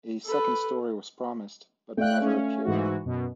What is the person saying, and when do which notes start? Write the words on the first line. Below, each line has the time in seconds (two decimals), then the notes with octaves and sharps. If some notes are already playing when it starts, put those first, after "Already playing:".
A second story was promised, but never appeared.
0.25 A4 B4
1.97 A3 D5 F5 G5 F#6
2.21 C#4
2.65 G#2 E3 F#4
3.05 F#2 B2